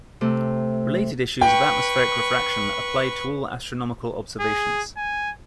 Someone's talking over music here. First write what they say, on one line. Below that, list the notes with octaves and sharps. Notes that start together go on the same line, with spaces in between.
Related issues of atmospheric refraction applied to all astronomical observations.
C3 A3
B4 G5 C#6
G#4
G#5